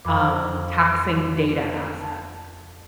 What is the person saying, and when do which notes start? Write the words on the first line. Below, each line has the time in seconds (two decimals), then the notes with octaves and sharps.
um, taxing data assets.
0.05 F2 F5 B5 D6
2.01 A5